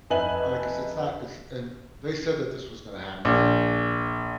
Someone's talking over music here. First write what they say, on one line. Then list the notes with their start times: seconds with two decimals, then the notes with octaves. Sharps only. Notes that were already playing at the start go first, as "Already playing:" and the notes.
I I guess it's not it's and they said that this was gonna happen,
0.10 F2 D#4 B4 E5 G#5 F#7
3.25 A#1